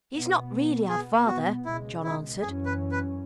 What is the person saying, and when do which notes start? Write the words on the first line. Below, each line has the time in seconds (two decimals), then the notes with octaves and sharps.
'He is not really our father,' John answered.
0.14 B2 B3
0.89 B2 B3 G#4
1.27 F#4
1.65 C#2 B2 G#3 E4
2.04 E4
2.41 F#2 E3 C#4 G#4
2.66 B4
2.92 B4